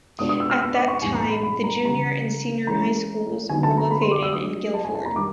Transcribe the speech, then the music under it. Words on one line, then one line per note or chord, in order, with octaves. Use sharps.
At that time the Junior and Senior High Schools were located in Gildford.
B2 G#3 B3 D4 F4 D#6
D#6
E6
F6
E6
D6
C#6
A2 E3 G3 B3 D#4 G#5
A#5
B5
B5
A#5
C#3 E3 G3 A#5
E3 G#3 C#4 E4 A#5
D3 F#3 B3 D#4 G#5
A5
A#5
B5
C6
D6
E6
F#3 A3 D4 F4 D#6
A5
G#5
A5
A#5
D#3 G3 D6